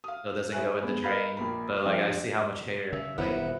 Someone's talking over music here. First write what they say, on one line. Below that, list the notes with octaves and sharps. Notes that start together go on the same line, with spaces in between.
So it doesn't go in the drain, but, like, I see how much hair and, like
F5 D#6
G#4 B4 C#5 E5 G#5 F#6
G#3 B3
A#4 B4 D#5 F5 B5
A#1 A#3 B5
F3 C4 D4 G4 G#4 E5
C#3 E5
D#1 A#2 E3 B3 E4 C5